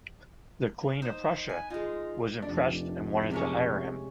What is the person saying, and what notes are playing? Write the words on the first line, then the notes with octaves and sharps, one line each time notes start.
The Queen of Prussia was impressed and wanted to hire him.
D#4 C5
B4 G#5
G#3 D#4 F4
F1 D4
C3 G#3 C#4